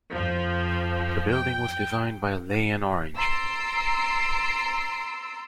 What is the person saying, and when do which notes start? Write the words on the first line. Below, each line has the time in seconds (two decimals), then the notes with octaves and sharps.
The building was designed by Leigh and Orange.
0.13 F2 F3
1.31 G5
3.16 A#5 C6 E6 A6 C7 D7